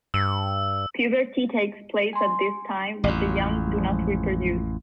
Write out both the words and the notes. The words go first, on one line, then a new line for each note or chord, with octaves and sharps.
Puberty takes place at this time but the young do not reproduce.
G2 E6
G#5 C6
A1 F2
F3 G#3